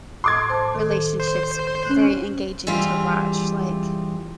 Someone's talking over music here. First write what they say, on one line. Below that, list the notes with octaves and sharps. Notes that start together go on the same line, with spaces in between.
relationships very engaging to watch, like
A2 C6 D6 G#6
C5 A5
D#3 A4
C5
C#4 F#6
E3 G3 G#3 C4 F4